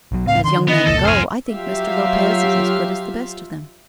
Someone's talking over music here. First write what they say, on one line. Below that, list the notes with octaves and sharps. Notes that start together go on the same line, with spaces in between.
As young men go, I think Mr. Lopez is as good as the best of them.
B1 F#3
C#2 A2 C4 F5
D3 D#3 C6
B3 D#5
F1 C#2 A#2 A4
C2 F2 G#2 C5 G#5 F6
F#3 F4 G4 E5 F5